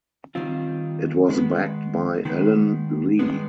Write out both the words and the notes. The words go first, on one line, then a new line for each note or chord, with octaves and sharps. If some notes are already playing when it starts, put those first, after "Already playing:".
It was backed by Allen Lee.
D#3 G3 C4 F4
D#3 G#3 B3
D#3 G#3 B3
G2 D#3 G#3 B3